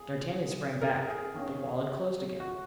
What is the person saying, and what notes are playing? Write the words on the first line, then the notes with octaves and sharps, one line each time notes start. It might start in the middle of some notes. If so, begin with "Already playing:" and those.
D'Artagnan sprang back; the wall had closed again.
Already playing: G#4
A#4
G#4
D#3 A#3 C#4
F#4